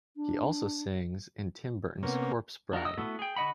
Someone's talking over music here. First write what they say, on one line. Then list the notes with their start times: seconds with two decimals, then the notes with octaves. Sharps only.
He also sings in Tim Burton's "Corpse Bride".
0.16 D4
2.03 C3 A#3 B3 C#4
2.73 D4 F4 F#4 A#4
2.85 D#5 D#6 E6
2.97 A3 B3 E4 F#4 A4
3.19 G#4 G5
3.36 D3 F#4 D#5 F#5 B5